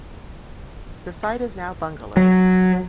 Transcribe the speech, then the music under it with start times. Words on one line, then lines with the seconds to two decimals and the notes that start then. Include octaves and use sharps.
The site is now bungalows.
2.17 F#3